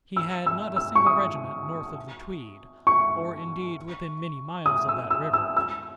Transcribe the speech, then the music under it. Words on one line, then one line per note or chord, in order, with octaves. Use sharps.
He had not a single regiment north of the Tweed, or indeed within many miles of that river.
E6
E6
E6
C#6
D#6
C#6
D#6
E6
E6
E6
E6